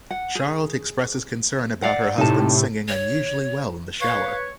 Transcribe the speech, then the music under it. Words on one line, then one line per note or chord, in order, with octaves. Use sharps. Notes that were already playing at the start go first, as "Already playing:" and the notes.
Charlotte expresses concern about her husband singing unusually well in the shower.
F#5
G#4
D5 F5 F#5
A2 C3 D#4 A5
C#5
B4 C#5 F5 C#6